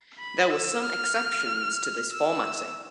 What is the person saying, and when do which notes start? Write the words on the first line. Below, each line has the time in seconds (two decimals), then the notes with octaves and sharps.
There were some exceptions to this formatting.
0.19 B5
0.51 E6
0.83 F6
2.12 E6